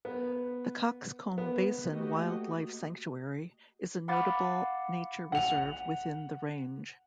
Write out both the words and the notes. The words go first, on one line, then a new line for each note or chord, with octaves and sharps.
The Cockscomb Basin Wildlife Sanctuary is a notable nature reserve within the range.
B3
B3
A3 A#3 F#4 G4 D#5
F5 F#5 B5 D6 A6 C7
F#5 F7